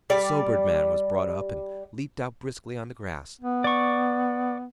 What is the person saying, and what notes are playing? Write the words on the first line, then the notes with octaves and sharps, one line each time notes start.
The sobered man was brought up and leaped out briskly on the grass.
G3 D5
B3
D5 C#6